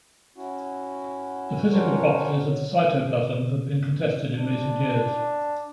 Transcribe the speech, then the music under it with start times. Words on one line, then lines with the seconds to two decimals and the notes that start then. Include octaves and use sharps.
The physical properties of the cytoplasm have been contested in recent years.
0.36 C#4 E4 F#4
1.72 C#4 D4 F#4 A#4 C5 C#5
2.42 F#3
4.38 D4